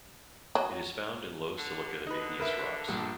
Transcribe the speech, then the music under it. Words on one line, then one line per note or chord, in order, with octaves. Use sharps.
It is found in low silica igneous rocks.
F#3
D3
D#4 B4
D3
A#4 B4 E5
A#1 G2